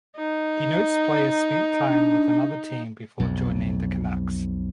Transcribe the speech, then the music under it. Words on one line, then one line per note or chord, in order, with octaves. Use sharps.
Denotes player spent time with another team before joining the Canucks.
D#4
D4
B1 F2